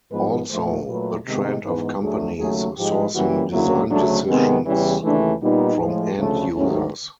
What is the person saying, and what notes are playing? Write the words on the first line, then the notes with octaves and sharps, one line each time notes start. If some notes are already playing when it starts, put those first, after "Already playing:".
Also, the trend of companies sourcing design decisions from end users.
G#2 F3 G#3 B3 B4
A#2 F3 A3 C5
A#2 F#3 A3 B4
C3 D#3 G#3 B3
G#2 E3 G#3 B3 B4
D2 D3 F#3 A3 G#4
D#2 C#3 F#3 A3 G#4
G#2 F3 G#3 G4
F#2 C#3 E3 G3 A#3 F#4
D2 C#3 F#3 A#3 E4
D2 C#3 F#3 A3 D4
C3 D#3 G#3 B3 C4
E2 C#3 E3 G3 C#4
D#2 C#3 E3 A3 D4
A#2 G3 B3 D#4
A2 F3 G#3
D2 C#3 F3 A3
G#2 D#3 F#3 A3 C#4